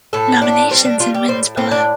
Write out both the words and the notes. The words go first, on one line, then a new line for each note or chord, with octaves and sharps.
Nominations and wins below.
A2 A4
A3 D4
G3 C4
D4
G3 F4
G4
A2 C5
A2 C4
D4